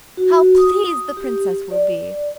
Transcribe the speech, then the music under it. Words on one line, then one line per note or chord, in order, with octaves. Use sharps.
How pleased the Princess will be!'
F#4
D#6
G4
D5